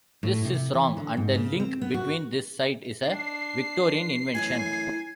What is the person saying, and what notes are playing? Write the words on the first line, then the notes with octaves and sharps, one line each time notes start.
This is wrong and the link between this site is a Victorian invention.
A2
C3
E3
D3
G#2
C#3
C4
B3
F#4
D4 C7
F#2 A2 E3 G#5